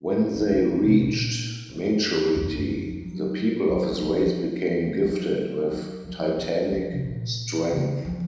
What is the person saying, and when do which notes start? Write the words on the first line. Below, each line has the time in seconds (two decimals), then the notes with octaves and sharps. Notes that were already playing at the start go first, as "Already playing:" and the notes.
When they reached maturity, "the people of his race became gifted with titanic strength".
0.35 F3
0.52 D#3
0.85 C3
1.02 A#2
1.68 F#2
2.36 F2
2.47 G#2
2.52 F#2
2.69 D#3
2.86 F3
3.02 F#3
3.69 F#3
3.87 D#3
4.02 F3
4.20 F3
5.04 F#3
5.70 F#3
6.04 F3
6.37 D#3
6.71 F3
6.92 C3
7.04 A#2
7.71 C#3
8.05 F3